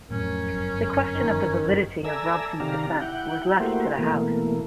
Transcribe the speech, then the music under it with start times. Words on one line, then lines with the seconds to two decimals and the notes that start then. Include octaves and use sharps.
The question of the validity of Robson's defence was left to the House.
0.10 F2 A2 F#3 C#4 A#4
0.50 G1 F#2
1.15 D#3
2.04 A4 D5 E5 G#5 A#5 E6
2.60 C3 D#3 G4 D5 F5 A#5
3.01 E4 F#5 G5
3.60 A3 A#3 E4 F#4 G4 C5
3.98 B2 E3 A3 A#3